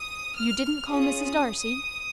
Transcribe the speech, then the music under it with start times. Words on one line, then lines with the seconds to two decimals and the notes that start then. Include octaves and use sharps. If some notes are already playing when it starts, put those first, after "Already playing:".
"You didn't call Mrs. Darcy?"
Already playing: D#6
0.36 F6
0.90 C#4 F4 G#4 D#6